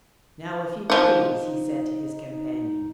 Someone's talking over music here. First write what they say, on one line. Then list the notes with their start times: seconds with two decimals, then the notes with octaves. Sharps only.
"Now if you please," he said to his companion.
0.90 F3 D#4 F#5